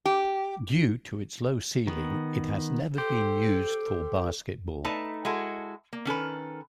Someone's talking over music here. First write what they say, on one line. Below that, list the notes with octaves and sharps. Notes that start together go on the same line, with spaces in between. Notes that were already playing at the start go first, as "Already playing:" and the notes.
Due to its low ceiling, it has never been used for basketball.
G4
D#3 B3
G4 A4 C5
A3 D#4 B4 A5
G#3 E4 F#4 A4
A#3
D#3 C#4 A4 B4